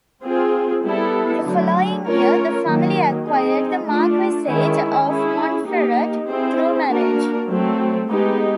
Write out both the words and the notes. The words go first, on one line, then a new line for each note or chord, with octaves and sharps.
The following year, the family acquired the Marquisate of Montferrat through marriage.
C4 F4 G#4
G3 B3 E4 A4
D3 F#3 A3
A3 C#4 F4 A#4 C#5
D#3 F#3 A#3
C4 D#4 G#4
A3 D4 F4
D#3 G#3 C#4 E4
C#4 E4 G#4
A#3 D#4 G4
C4 E4 G#4 C5
A#3 D4 F#4 A#4
F#3 A3 C4
G#3 B3 D#4 G4